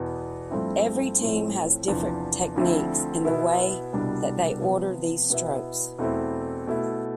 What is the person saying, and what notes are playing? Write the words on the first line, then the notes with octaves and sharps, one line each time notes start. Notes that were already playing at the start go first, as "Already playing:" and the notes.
Every team has different techniques in the way that they order these strokes.
Already playing: E2 B2 B3
G2 F3 A3 C4 E4
A2 F3 C4
E2 C3 F3 B3 D4
D2 D3 F3 C4 E4
B2 B3 E4
C2 B2 G3 D4
C3 F3 B3
B2 B3 E4
E2 B2 A3 C4 E4
B2 A3 E4